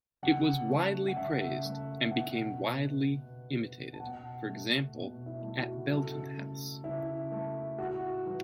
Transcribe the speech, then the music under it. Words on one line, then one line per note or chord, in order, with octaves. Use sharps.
It was widely praised, and became widely imitated, for example at Belton House.
C#3 F#5
A3
F#5
C#3 E5
A3
B2 F#5
B3
B2
B3
A5
B2 F#5
A3
B2
E4
A3
F#4
C#3 A4
A3
C#3 E4
A3
A2 F#4
E3